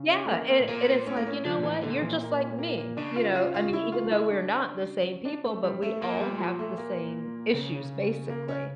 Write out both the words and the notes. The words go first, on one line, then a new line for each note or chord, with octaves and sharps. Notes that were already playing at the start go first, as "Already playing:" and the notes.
Yeah, and and it's like, "You know what? You're just like me." You know? I mean, even though we're not the same people, but we all have the same issues, basically.
Already playing: C#3
C#4
A3
A#3
A#3
A2
A#2 A#3
A2 C#4
A#3
C#4
C#3 F3
A#2
E3
A2
A#2 D3
E3
A#3
C#4
A#3
A#3
C#3 D4
F4
F4
F4
E4
F4
E4
D4
D4
A3
G3
A3
A2
A#2 A#3
G3
F3
A3
A#3
C#3
A#3
C#4